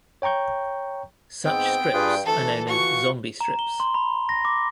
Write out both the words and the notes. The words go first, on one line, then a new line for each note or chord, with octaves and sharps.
Such strips are known as "zombie strips".
C#5 G5 A#5 C#6 G6
G#2 B3 C4 G5
G2 F4 G#4 B4
D2 E3 A3 A4 A5
F4 F#4 C#6
A#5
G7
C6
B5
A#6
D6